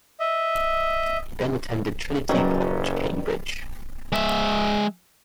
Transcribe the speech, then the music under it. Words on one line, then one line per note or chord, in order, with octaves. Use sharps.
He then attended Trinity College, Cambridge.
D#5 E5
F#1 D#3 F#3 G3 C#4 A#4 B4 D5
G#3 E5